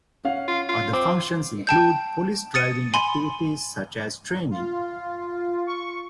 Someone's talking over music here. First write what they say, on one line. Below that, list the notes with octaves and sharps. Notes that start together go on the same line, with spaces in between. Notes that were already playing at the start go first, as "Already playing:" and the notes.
Other functions include police driving activities such as training.
C#4 F5 F#5
F4
F4
C4 D6
G5 A5 G6
D#6 A6 C#7 D#7
G#5 B5 C6
F4
C#6